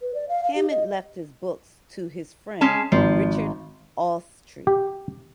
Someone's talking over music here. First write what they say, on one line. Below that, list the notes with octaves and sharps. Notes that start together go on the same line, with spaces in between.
Hammond left his books to his friend Richard Allestree.
B4
D5
F5
F5
G4
D#5
G#3 C#4 A5
G#1 F3
G4